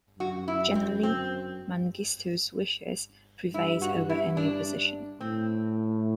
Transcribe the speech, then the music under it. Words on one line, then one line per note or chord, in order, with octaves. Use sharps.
Generally, Mengistu's wishes prevailed over any opposition.
F#2 F#4
E4
C4
C4
G2 E4
F#4
E4
D4
A2 C4